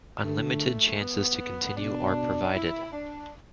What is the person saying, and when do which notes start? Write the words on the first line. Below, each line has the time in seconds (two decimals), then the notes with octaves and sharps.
Unlimited chances to continue are provided.
0.24 D3 A3
1.01 B3
1.77 B2 D4
2.54 E4
2.93 D4